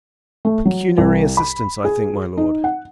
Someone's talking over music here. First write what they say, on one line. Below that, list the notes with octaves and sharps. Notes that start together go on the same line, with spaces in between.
"Pecuniary assistance, I think, my Lord."
A3
F#3
C2
B5
G#4
D#4
F#5